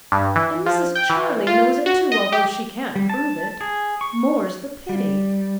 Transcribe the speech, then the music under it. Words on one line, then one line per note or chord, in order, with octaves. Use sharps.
And Mrs. Charley knows it too, although she can't prove it--more's the pity!
G2
E3
F3
G5
E3
F4
F#4
D#5
G4
G3
A5
G#4
C#6
G3